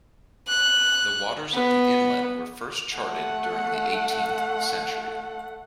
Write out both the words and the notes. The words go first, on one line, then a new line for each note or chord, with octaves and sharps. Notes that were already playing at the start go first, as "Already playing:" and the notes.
The waters of the inlet were first charted during the eighteenth century.
F#6
B3
A3 F#5